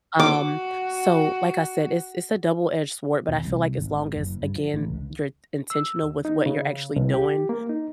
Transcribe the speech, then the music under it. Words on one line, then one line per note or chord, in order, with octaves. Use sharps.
um, so like I said, it's it's a double edged sword, but I feel like as long as, again, you're t intentional with what you're actually doing
F#4 D6
E1
C2
G#1
F#1
G2
F3
A1
C#2
E6
D#2
D#4
C#3
C2
G4
A#3
D#4